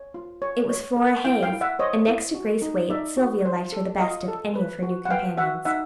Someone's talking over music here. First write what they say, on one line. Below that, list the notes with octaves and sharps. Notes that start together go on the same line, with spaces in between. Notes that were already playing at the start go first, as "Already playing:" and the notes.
It was Flora Hayes; and, next to Grace Waite, Sylvia liked her the best of any of her new companions.
Already playing: C#5
F4
C#5
C#5
A#4
E4 F5 G5
F5 G5
E4
E5 F#5
C5 C#5 D#5
E4
F#4
D#4
D#4 D5 E5
F#4
C5
A4
F4 D#5 F5
A4
B4
F#4
F#5
B4 F5 G5
F#4 E5 F#5
D#4 E5 F#5